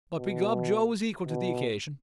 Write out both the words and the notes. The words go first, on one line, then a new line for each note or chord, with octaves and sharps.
But, begob, Joe was equal to the occasion.
B2
B2